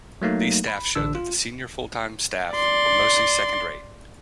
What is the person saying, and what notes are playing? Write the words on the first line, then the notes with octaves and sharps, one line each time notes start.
These staff showed that the senior full-time staff were mostly second-rate.
F#3 A3 A#3 D#4
B5
A1 D3 D4 E6
F4
D5 C6